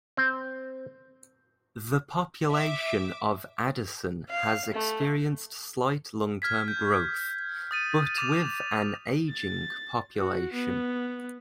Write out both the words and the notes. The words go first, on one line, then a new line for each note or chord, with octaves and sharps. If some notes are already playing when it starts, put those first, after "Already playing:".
The population of Addison has experienced slight long-term growth, but with an aging population.
C4
E5 D6
F5
A3
F6 G#6 B6
G6
D#6 A6 D#7
D6 A6 E7 F7
A6
F#4
B3